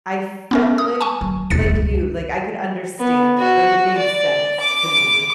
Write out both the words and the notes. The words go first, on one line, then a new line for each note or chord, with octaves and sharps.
I felt like like you, like, I could understand it, like, it made sense to me,
B3 C#4 A#4
D#6
G#5 A5 C#6
F#3
E1 D#2 A6 C#7
C#2 F#2
B3
F#4
D5
D6